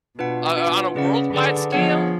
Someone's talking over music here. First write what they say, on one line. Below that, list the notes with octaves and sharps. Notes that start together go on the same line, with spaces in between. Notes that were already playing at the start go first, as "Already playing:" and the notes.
Wha o on a worldwide scale,
B2 D4 F4 B4 F#5
D4 F4 B4 F#5
C#3 G#4 B4 D5 F#5
D3 G#4 B4 D5 F#5
F3 B3 D4 G#4 C#5 F#5